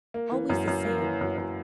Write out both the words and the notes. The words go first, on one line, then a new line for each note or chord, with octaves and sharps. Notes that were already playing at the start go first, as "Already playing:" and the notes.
Always the same.
A#3
E3
F#2
F#2
A#3
E3
F#2
F#2